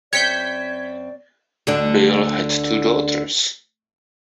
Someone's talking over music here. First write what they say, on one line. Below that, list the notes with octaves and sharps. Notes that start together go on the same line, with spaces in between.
Bill had two daughters.
F#2 C4 D5 G6 G#6 B6 C#7
D2 D3 D4